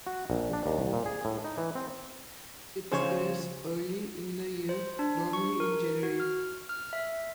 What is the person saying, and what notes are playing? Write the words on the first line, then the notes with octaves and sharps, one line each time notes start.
It airs early in the year, normally in January.
F#4
A#1
D4
D#2
C2
A#2
G#4
A2
D#4
E3
C4
C#3 F3 G#4 C5 C#5
C5
D4
C#6
A#4
F#4
F6
F6
E5